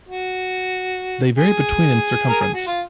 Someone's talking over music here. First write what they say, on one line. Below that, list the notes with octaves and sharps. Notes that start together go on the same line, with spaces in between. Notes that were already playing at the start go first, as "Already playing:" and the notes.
They vary between in circumference.
F#4
G#4
A#4
G#4
F#4
F4